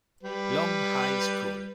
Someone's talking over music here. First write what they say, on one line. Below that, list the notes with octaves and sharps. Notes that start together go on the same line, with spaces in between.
Long High School.
G3 B4